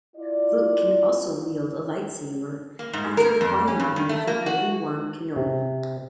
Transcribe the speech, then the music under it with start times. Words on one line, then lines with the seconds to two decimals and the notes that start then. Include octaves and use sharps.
Luke can also wield a lightsaber after acquiring it from Obi Wan Kenobi.
0.16 E4 F4 D5
2.79 A#3
2.93 G#2
3.17 A#4
3.41 F2
3.68 C#4
3.80 G2
3.96 D#3
4.09 A3
4.27 A#3
4.46 F#4
5.36 C3